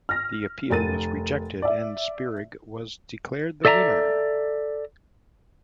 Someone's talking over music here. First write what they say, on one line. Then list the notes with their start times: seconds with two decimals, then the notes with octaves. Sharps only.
The appeal was rejected and Spirig was declared the winner.
0.09 F6 A#6
0.70 F1 A#4 A6 D#7
1.62 D5 E5
3.65 A4 D5 E5 G#5 A#5